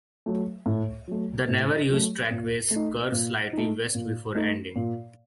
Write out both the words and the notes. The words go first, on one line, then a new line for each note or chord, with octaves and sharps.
The never-used trackways curve slightly west before ending.
F#3 A3
A2
F#3 A3
A2
F#3 A3
A#2
A3
D#4
A#2
A3 D#4
A#2
A3 D#4
A#2